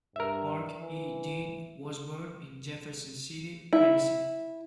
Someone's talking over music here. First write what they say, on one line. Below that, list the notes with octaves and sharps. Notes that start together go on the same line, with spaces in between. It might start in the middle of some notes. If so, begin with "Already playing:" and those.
Mark E. Dean was born in Jefferson City, Tennessee.
G2 A#4 E5
E3
E4